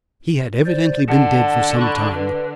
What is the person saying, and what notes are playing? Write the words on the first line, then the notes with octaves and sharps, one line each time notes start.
He had evidently been dead for some time.
C5 D5
D3 F#5 A5
B5 C#6 F#6
B4